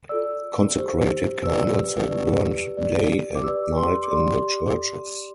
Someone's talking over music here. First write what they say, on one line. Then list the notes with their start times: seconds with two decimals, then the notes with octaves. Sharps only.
Consecrated candles had burned day and night in the churches.
0.09 F4 A4 D5 E6
0.76 G4 C5
1.44 G4 B4 D5 E6
2.09 E4 G4 B4 D5
2.77 G4 D5
3.35 D6
3.44 G4 B4 D5 E6
3.77 C6
4.03 D6
4.11 G4 D5 C6